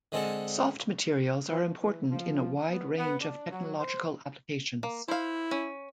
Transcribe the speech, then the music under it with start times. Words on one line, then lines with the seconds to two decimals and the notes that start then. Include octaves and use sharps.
Soft materials are important in a wide range of technological applications.
0.12 D3 G#3 C4 A4
1.49 F3
1.80 E3
2.10 F3
2.70 B3
2.97 B3
3.20 D4
3.52 F#3
3.79 C5
4.83 A#3
5.08 E4 C5 F5
5.51 C#4